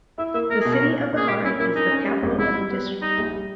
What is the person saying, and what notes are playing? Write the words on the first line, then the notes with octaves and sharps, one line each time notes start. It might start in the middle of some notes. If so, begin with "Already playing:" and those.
The city of Vehari is the capital of the district.
E4 E5
A#3 E5
A#3 A#4
B2 G#4
A#4
A#2
C#4
A#2 G#4
A#2 G4
C#4 E4
A#3 E4
C#4 D#4
C#4
G3
G#1
G#2 E4
G3
B3
G3
G3 D#4
A#1
G3